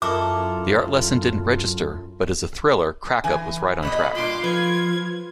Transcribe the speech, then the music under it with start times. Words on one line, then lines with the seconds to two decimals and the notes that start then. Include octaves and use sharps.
The art lesson didn't register, but as a thriller "Crack-Up" was right on track.
0.02 F#2 E4 F4 A4 A#4 D6
3.24 E3 G#5
3.83 B2 C#5 D#5 B5
4.15 G2 A#2 F4 C6 D6
4.44 F3 B4 G#6